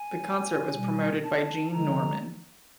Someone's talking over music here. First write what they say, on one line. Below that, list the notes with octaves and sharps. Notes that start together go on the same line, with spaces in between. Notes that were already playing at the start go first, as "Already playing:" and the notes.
The concert was promoted by Gene Norman.
Already playing: G#5
B2 G3
A5
D3 F3 G#3 A#5